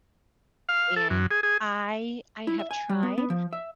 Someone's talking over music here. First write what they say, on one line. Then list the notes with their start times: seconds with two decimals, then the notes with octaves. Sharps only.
And I I have tried,
0.69 F5
0.96 A4
1.10 F#2
1.31 G#4
1.43 G#4
2.47 E4
2.59 E5
2.71 G#5
2.89 G3
3.03 B3
3.18 B3
3.30 F3
3.53 E5